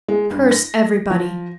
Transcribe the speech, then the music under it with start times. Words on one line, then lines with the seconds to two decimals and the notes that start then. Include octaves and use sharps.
Curse everybody!
0.08 G#3
0.31 G2
0.51 A#6
1.10 F3